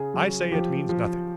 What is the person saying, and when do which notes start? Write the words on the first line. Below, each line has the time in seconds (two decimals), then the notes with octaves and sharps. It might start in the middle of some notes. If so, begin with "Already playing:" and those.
'I say it means nothing.
Already playing: C#3 G#4
0.14 F#3
0.52 F3 G4
0.89 F3